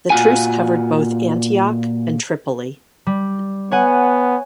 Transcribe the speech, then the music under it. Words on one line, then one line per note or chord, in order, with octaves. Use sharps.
The truce covered both Antioch and Tripoli.
A#2 F4 F#4 G#5
G3
B3 C#5 F#5 G#5